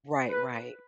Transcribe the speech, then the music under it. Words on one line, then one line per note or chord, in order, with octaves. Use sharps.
Right, right.
B4